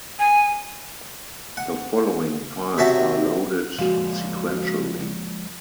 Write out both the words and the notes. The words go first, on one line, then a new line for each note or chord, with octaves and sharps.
The following files are loaded sequentially.
G#5
F#5
C3 F#3 F#4 E5 A5
F3 G#3 A#3 F#4 F5